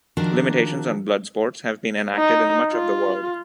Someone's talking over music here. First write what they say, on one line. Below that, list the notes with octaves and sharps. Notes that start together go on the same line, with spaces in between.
Limitations on blood sports have been enacted in much of the world.
D#3 F3 D4 F#4 A#4
D#4
F4